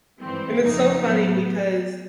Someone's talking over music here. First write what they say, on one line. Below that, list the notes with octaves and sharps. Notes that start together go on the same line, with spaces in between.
And it's so funny because
G#2 E3 G3 C4
F2 C#3 F3 A#3 D#4
A2 F#3 B3